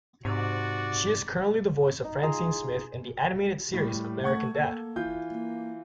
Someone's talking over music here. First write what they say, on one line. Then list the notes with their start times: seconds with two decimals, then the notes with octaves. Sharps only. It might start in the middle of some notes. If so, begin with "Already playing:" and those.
She is currently the voice of Francine Smith in the animated series American Dad!
0.25 G#2 C3 F#4 D5
2.04 D#4
2.23 F4 G#4 A#5 C6
3.73 A2 G3
4.24 A3 F#5 C#6 G#6
4.55 A#3 A4
4.96 E3 F4 G6
5.32 A#3